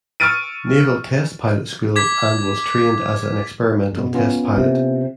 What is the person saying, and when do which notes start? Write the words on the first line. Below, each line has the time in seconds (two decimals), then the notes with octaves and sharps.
Naval Test Pilot School and was trained as an experimental test pilot.
0.20 C#6 E6 F6 A6 D7 D#7
1.96 D6 G#6 B6
3.93 F#2 B2
4.14 B3 C#4 F4
4.57 C3